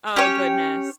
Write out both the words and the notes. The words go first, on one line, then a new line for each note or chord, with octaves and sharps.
Oh, goodness.
C#4 G4 C#5